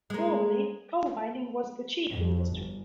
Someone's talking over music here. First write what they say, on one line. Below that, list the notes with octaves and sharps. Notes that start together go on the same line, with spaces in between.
Formerly, coal mining was the chief industry.
G#3 A#3
F2
G1